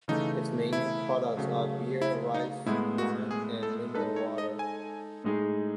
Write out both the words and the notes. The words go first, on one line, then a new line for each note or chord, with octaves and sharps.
Its main products are beer, rice wine, and mineral water.
C#3 E3 A3 D#4
E4
C#3 F#3 A3
E4
D#4
A2 G#3 B3 E4
F#4
G#4
A4
G#3 D#4 A4 B4
C#5
D#5
G#5
A2 G#3 D#4 G#4